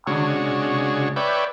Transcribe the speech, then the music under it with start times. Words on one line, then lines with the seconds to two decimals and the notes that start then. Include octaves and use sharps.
Oh, man.
0.07 C#3 G#3 D4 F#4 C#5
1.16 B4 C#5 D5 E5 G5